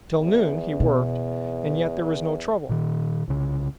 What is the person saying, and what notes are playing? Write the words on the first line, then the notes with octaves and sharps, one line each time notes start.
Till noon he worked and yet there was no trouble.
E2
B2
A#2 D#3
C2 C#3